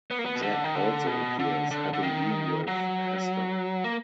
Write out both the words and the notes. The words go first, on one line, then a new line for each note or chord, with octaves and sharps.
Jack also appears, having been with Hester.
B3
A#3
B3
B2
D3
D#3
D3
B2
D3
D3
D3
D#3
F#3
A#3